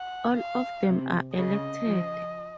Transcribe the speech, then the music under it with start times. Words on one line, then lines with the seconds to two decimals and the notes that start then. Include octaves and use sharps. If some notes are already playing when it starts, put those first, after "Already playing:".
All of them are elected.
Already playing: F#5
0.38 F5
0.88 C3
1.36 C#3 D#5
1.85 F3